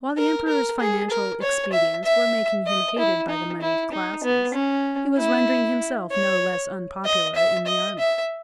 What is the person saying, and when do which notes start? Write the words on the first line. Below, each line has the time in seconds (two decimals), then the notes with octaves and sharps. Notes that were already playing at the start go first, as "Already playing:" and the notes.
While the emperor's financial expedients were making him hated by the moneyed classes, he was rendering himself no less unpopular in the army.
0.18 A#4
0.48 A#4
0.80 G#4
1.10 A#4
1.42 C#5
1.73 E5
2.04 E5
2.67 D#5
2.99 E4
3.29 D#4
3.61 E4
3.92 D#4
4.24 B3
4.54 C#4
5.17 E4
6.11 C#5
7.05 D#5
7.35 E5
7.66 D#5
7.99 E5